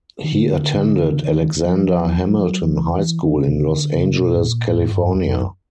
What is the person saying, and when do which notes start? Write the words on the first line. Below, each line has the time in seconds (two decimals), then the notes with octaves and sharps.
He attended Alexander Hamilton High School in Los Angeles, California.
0.24 D#3
0.33 D3
1.23 D3
1.28 D#3
1.41 D#3
1.65 F3
2.26 F#3
2.38 F3
2.49 F#3
2.62 F3
2.73 E3
2.97 E3
3.23 D#3
3.35 C#3
3.46 C3
3.58 C#3
3.70 D3
3.94 C#3
4.18 B2
4.36 A2
4.43 A#2
4.67 A2
4.74 G#2
4.82 A2
4.91 G2
5.15 F2
5.39 F#2